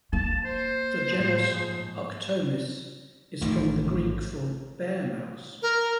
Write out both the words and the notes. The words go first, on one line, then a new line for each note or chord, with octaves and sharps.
The genus, "Arctomys", is from the Greek for "bear-mouse".
A#3 A5
C5
A2 F3
G#2
A1 G#2 D#3 F3 A3
A#4